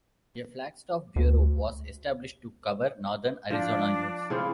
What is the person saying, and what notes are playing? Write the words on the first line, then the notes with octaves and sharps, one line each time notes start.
A Flagstaff bureau was established to cover Northern Arizona news.
D2
F3 D4
C#3 C4 E4 F4